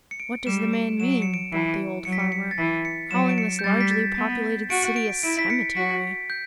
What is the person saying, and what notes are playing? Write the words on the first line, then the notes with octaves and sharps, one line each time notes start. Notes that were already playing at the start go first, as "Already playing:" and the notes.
"What does the man mean," thought the old farmer, "calling this largely populated city a cemetery?"
C#7
D7
G3 E7
D7
F#3 E7
D7
C#7
D7
E3
F#3 C#7
B6
C#7
C#7
A6
E3 B6
C#7
F#3 E7
D7
C#7
G6
G3 A6
B6
A6
B3
F#4 D7
D7
E4 D7
B6
C#7
F#4 B6
G6